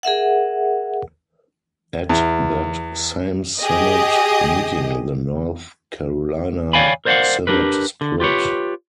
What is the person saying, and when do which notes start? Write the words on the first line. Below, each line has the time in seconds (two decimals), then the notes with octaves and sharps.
At that same synod meeting the North Carolina Synod split.
0.03 G#4 A#4 E5 F#5
2.09 E2
3.58 G4 G#4 D#5 D#6
6.73 C#5 D5 F5 G5 G#5 B5
7.05 A#4 C5 D5 D#5 F5 F#5
7.47 D4 G4 A#4 B4
8.01 D3
8.20 F4 G4 B4 C#5